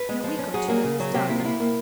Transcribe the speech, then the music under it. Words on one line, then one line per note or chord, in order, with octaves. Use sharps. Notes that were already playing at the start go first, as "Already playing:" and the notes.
In a week or two it was done.
Already playing: B4
G#3
F3
C#4
F#3 G#4
A#3 G#4
C#3
F#3
C3 G4
A#3 E4
F4
A#3 E4
A#3